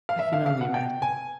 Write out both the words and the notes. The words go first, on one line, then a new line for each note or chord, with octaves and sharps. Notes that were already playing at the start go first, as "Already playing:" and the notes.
I can only imagine.
F5
E5
F5
F5
F#5
G5
G#5